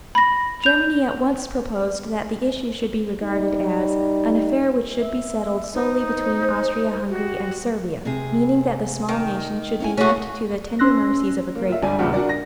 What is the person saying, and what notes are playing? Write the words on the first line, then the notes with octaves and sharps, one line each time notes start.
Germany at once proposed that the issue should be regarded as "an affair which should be settled solely between Austria-Hungary and Serbia"; meaning that the small nation should be left to the tender mercies of a great power.
B5 A#6
G6 F7
G3 D#4
E5
D#4 C5
F#4 G4
C3 G#4
D#3
C#4 E4 G#5
A3 C#4 F#4 G#4
C#4 C6 E6 F#6 A#6
A#3
F4 E5
G1 G3 D5 G#5
E2 A#2 C#3 G3
D4 F#4 A#4 D5
A#6